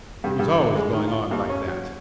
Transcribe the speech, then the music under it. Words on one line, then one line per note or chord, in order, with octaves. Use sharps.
He was always going on like that.
G2
G2
D3
G#3
D#3
F4
D#2
C#4
F#3